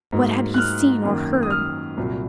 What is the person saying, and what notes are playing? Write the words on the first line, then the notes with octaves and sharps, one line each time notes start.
What had he seen or heard?
G#2 F#3 A#3
F#6
F6
F#2 D#3 A#3
D#6
F6
C2 A#2 F#3